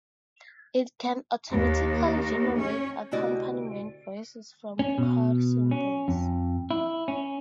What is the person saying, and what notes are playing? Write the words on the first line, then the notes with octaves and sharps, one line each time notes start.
It can automatically generate accompaniment voices from chord symbols.
D#2
C#4
D2 C3 E4 F#4 D5 D#5
C#4
B2
C#4
F2
E4
C#4